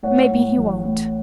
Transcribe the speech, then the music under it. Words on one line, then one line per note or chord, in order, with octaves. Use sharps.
Maybe he won't.
A2 C#5 F#5
A2
A1
A2